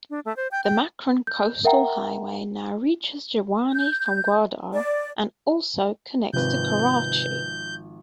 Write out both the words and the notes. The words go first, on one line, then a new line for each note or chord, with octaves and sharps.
The Makran Coastal Highway now reaches Jiwani from Gwadar and also connects to Karachi.
D4
A3
C5
G5
G5
G6
A#4 E5 F#5 G5 A#5
G6
D5
G#1 C3 F3 B4 G6